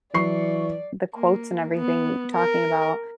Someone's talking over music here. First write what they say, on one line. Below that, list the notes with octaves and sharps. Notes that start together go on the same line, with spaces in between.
the quotes and everything talking about,
E3 F#3 D5 C#6 C7
A#3
B3
A#4